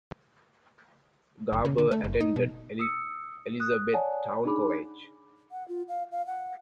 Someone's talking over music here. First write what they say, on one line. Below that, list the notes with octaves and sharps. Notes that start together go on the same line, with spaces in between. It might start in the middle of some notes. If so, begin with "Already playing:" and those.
Garber attended Elizabethtown College.
F#1
C#3
D3
A3
F#1
D#4
B2
D#6 E6 C#7
D#6 F#6
C#5 D5 F#5 G#5 A5
D4 D#4 G#4 B5 D6
F#5
F4
F5
F5
F#5